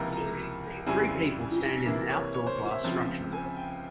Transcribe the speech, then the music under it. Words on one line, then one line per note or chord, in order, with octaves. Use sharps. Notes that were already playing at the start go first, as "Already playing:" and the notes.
Three people stand in an outdoor glass structure.
Already playing: C#2 C3 F3 A#3 E4 A#5
A#5
F2 C#3 G3 C4 E4 G#5
C3 E3 A#3 E4
C#5
C#5
C5
C#5
E5
C#2 C#3 F3 C4
G#5
G5